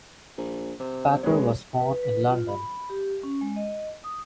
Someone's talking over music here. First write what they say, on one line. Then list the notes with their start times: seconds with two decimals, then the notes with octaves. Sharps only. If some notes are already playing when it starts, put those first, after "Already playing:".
Packer was born in London.
0.37 A#1
0.80 C3
1.23 F#1 G#3 B4 C#5
1.80 B4
2.03 B4
2.28 F4
2.48 B5
2.90 G4
3.23 C#4
3.41 G#3
3.56 D#5
4.04 D#6